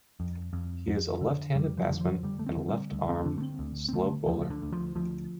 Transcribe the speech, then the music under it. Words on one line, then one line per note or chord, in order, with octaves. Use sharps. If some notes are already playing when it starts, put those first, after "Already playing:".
He is a left-handed batsman and a left-arm slow bowler.
F2
F2
F2
D3
F2 G3
F3
F2 D3
F3
D3 G3
A3
C4
D3
G3
D2
C4
D3 D4
A3
C4
D2
C4
D3 A3
D2 F3
F3
D3
D2
F3
D2 F3